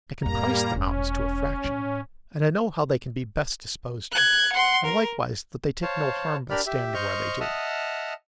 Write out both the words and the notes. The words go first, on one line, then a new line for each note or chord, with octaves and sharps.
I can price the Mounds to a fraction, and I know how they can be best disposed of; and likewise that they take no harm by standing where they do.
F2 A2 G3 A#3 A#5
E1 C#4
A2
F#6 G#6
F#5 C6
A#4
C5 C#5 F5 A5
D4 G4 A#4 D5 B5 F6
G4 E5
C5 D#5 C#6 F6 G6
D#5 E5 F#5 A5 D#6 F6